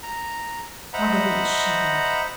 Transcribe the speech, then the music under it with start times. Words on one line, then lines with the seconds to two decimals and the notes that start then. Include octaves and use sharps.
Marguerite shuddered.
0.03 A#5
0.93 C5 D#5 E5 F#5 A#5 B5